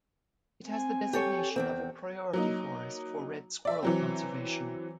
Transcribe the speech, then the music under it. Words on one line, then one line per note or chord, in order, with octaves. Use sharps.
It has the designation of a 'Priority Forest' for Red Squirrel conservation.
C4 G#5
G4 A4 C#5
E2 G#2 C4
F#3 A#3 D#4
D5 E5
E3 F#3 C4